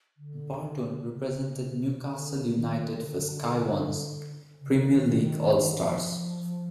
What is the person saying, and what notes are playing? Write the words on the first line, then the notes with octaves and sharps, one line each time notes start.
Barton represented Newcastle United for Sky One's "Premier League All Stars".
D3
C#3
D3
D3
D#3
D3
C#3
D3
D#3
E3
F3